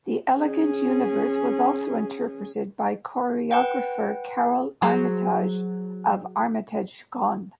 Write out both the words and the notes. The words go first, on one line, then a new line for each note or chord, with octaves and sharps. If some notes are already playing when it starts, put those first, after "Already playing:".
"The Elegant Universe" was also interpreted by choreographer Karole Armitage, of Armitage Gone!
C#4 G#4
B4 F#5 G5
F#3 G#4 C5